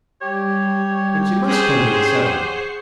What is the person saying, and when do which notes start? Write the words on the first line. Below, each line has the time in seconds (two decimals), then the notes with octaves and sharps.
But you must come to the Settlement.
0.21 G3 G4 C#5
1.47 C#4 G#4 C5 F#5 C#6 C7